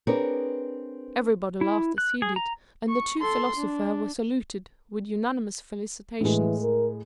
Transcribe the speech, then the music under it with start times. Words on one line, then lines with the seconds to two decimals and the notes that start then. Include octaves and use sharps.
Everybody laughed as he did, and the two philosophers were saluted with unanimous felicitations.
0.07 C4 D4 G#4 A#4 B4 C#5
1.61 E4
1.98 F#6
2.22 G#4
2.36 A#5
2.89 C#6
3.19 A4 C6
3.57 D4
6.21 A2 E3 G#3
6.62 A#4